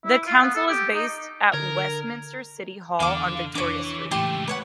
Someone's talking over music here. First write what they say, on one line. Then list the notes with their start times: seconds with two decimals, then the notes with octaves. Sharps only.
The Council is based at Westminster City Hall on Victoria Street.
0.05 E4
0.27 F4
0.42 B3
0.55 A4
0.69 G4
0.94 D#4
1.53 D3 A#4 G#6
3.00 E2 D3 F5 D6
3.55 F1 E3 D4 C#5 D6
4.11 C#2 A2 E3 A3 G4 C6
4.48 B4 C#5 F#5